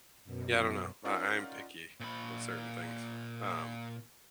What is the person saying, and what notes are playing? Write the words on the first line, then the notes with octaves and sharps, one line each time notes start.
yeah, I don't know. I I am picky with certain things. Um
F#2 B2
C#4 D#4 F4 A#4 D5 F#5
A#2 B5